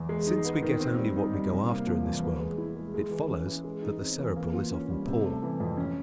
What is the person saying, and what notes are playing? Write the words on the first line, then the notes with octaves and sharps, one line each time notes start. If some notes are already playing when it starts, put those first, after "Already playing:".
Since we get only what we go after in this world, it follows that the Cerebral is often poor.
Already playing: E2
G#3
D#4
B3
D#3
C4
G3
D#4
G3
C3
A#3
F3
E2
B3
G#3
E4
G#3
G#3
E3
C#4
E3
G#3
D#4
C4
E3
A#3
F4
C#4
G3
C3
A3
E3
F2
C#4